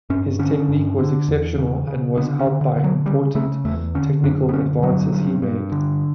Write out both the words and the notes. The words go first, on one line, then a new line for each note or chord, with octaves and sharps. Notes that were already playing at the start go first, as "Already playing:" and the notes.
His technique was exceptional, and was helped by important technical advances he made.
G2 C#4
D3 C#4
G2
D3
E2
C#3
C#3
D3 B3
C#4
D3
D3
D3
F#3
C#3 G3
C#3 A3
E2 A3
D3 C#4
F#2 D4
B3
D3 C#4
G2 F#3
G2
G2
D3